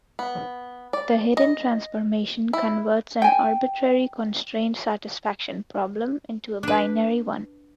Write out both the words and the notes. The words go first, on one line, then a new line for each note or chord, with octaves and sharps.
The hidden transformation converts an arbitrary constraint satisfaction problem into a binary one.
B3
D5
D#5
E4
G5 G#5
D4 B4